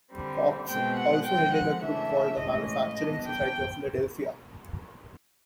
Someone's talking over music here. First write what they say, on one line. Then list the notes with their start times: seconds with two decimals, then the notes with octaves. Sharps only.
Coxe also headed a group called the Manufacturing Society of Philadelphia.
0.11 D3 G3 C4
0.68 B2 G#3 C4 G5
0.96 F#5
1.25 F3 G#3 C4 G5
1.53 F#5
1.82 C#3 E3 A3 D4 E5
2.40 A2 E3 G#3 C#4 D#5
2.68 D#5
2.96 E3 G3 B3 D4
3.26 G5